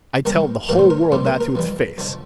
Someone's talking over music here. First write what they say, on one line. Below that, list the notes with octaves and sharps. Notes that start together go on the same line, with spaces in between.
I tell the whole world that to its face!
C2 C3 G3 A#4
A1 A2 E3 G3 A#4
C5
A#4
A#1 A#2 G3 C5
A#4
A#4
F2 E3 G3
F2 D3 F3